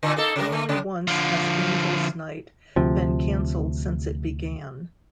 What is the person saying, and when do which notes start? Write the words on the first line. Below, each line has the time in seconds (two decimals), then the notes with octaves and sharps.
Only once has Angels' Night been cancelled since it began.
0.03 A#2 D3
0.17 A#3 D#4 A4
0.36 C#3 A#4
0.52 D3 A3
0.69 C#3
1.07 D3 F3
2.76 D2 C3 F3